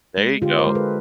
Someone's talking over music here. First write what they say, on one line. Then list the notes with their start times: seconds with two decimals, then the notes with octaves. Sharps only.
There you go.
0.18 G#3
0.42 D3 F4 G4
0.58 A#4 C5
0.67 G#3
0.75 A4 B4